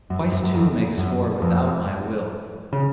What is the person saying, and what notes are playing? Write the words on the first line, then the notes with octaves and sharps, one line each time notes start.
Twice two makes four without my will.
F#2
F#2
F#2
F2
F#2
F2
C#3